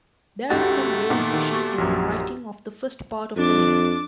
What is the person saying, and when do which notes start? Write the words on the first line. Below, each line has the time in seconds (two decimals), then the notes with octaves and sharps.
There is some variation in the writing of the first part of the name.
0.50 G#1 C#2 G#2 A3 F#4 G4 F#5 A6
1.10 A#2 B3 D#4
1.33 D#3
1.53 C#6 A6
1.78 A#1 F#2
3.37 F2 D4 D6